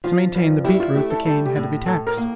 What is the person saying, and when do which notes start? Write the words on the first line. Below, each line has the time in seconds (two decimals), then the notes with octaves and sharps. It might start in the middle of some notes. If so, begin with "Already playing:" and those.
To maintain the beet-root, the cane had to be taxed.
0.04 F3 F4
0.35 G2
0.65 E4 G4
0.80 F4
0.95 A3 G4
1.10 A4
1.26 G3 A4
1.46 G4
1.56 A2
1.86 A2 A4
2.07 A#4
2.17 A#3